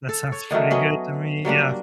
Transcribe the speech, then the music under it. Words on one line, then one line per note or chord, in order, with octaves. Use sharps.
that sounds pretty good to me, yeah.
A4
C#5
D3 D#3 F#3 A3
F#3 B3 C#4 D#5
F#3 G3 A#3 D4